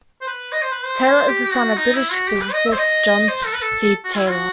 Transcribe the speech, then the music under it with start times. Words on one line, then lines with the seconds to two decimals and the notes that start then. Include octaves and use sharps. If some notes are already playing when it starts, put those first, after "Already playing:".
Taylor is the son of British physicist, John C. Taylor.
0.21 C5
0.27 B4
0.52 D#5
0.62 C5
0.72 B4
0.84 C5
1.28 G4
1.45 G4
1.52 F#4
1.77 D#4
1.95 E4
2.11 F#4
2.28 G4
2.41 B4
2.53 D#5
2.66 E5
2.72 C5
2.78 D#5
3.28 C5
3.45 A4
3.54 B4
3.62 A4
3.79 A4
4.04 F#4
4.16 E4
4.30 F#4